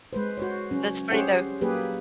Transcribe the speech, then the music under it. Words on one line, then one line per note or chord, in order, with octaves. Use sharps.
That's funny, though.
G#3 B4 C5
F#4 C5 C#5
F#3 C#4
C#4 G4 G#4 C5 C#5 F#5
F#3 A#3 G4 G#4 B4